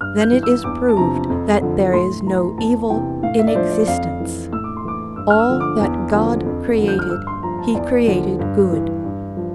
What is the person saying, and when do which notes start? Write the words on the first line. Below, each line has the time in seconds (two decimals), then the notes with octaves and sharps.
Then it is proved that there is no evil in existence; all that God created He created good.
0.01 G2 F6
0.21 G6
0.33 E3
0.43 E6
0.64 E2 D6
0.89 A5
0.96 C3 F3 A#5
1.30 F2
1.61 D3 F3
1.94 A2 C6
2.26 E3 A#5
2.58 E2 A5
2.90 C3 E3 G5
3.23 A2 F5
3.39 E5
3.47 D5
3.55 F3 C5
3.71 D5
3.87 F2 F5
4.20 E3
4.53 A2 E6
4.64 D6
4.77 C6
4.85 E3 D6
5.16 G2 E6
5.30 F6
5.39 E6
5.49 D3 F3
5.60 D6
5.81 E2
6.13 D3 F3
6.46 F2
6.78 D3 F3
6.88 G6
6.99 F6
7.10 G2 E6
7.27 C6
7.43 F3 A#5
7.58 A5
7.75 E2 D5
8.07 D3 F3
8.39 G2
8.72 E3
9.04 G2
9.37 F3